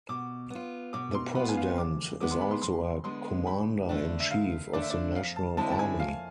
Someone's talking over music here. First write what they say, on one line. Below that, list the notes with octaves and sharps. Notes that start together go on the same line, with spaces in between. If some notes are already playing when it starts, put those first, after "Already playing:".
The President is also a Commander in Chief of the National Army.
B2 D6
B3 F4
B2 D6
C6
B3 F4 B5
G#5
F5
F2 D6
D3 G#3 B3 D6
C6
B5
C6
F2 C6
D3 G#3 B3 C6
D2 B5
D3 A3 D4
E5
D2 F5
D3 A3 D4 D5
E5
D5
F2 F5
A5
D3 G#3 C4 E4 A5
A5
G#5
F2 F5